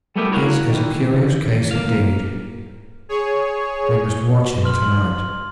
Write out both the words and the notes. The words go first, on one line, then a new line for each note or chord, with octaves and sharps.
His is a curious case indeed; we must watch him to-night.
G3 A3 B3 E4 G4 A#4
E4 F#4 A#4 C#5 F5 F#5
D#3 E3
A#3 F5
G#4 C#5
C6 F6 F#7